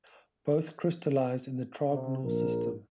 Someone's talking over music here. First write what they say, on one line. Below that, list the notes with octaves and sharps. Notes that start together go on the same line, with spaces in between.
Both crystallize in the trigonal system.
C3
A#1 A#4